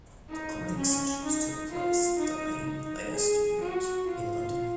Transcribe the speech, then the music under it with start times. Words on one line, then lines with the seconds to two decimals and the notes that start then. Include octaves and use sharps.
Recording sessions took place at De Lane Lea Studios in London.
0.29 D#4
0.77 C#4
1.24 D#4
1.71 F4
2.18 D#4
2.65 D#4
3.12 G#4
3.60 F#4
4.07 F4